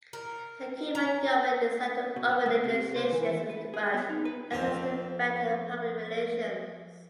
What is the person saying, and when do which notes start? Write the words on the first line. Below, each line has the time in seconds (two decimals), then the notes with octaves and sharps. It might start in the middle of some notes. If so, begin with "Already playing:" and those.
The Cuban government decided to open negotiations with Cuban exiles to better public relations.
0.13 A#4
0.95 A#5
2.16 B2
2.30 B3
2.46 A3
2.64 C3
2.96 C5
3.12 E3
3.26 E5
3.49 B4
3.74 G#4
3.94 B3
4.09 D#4
4.25 B4
4.52 F2 F3 C4 A#5 C6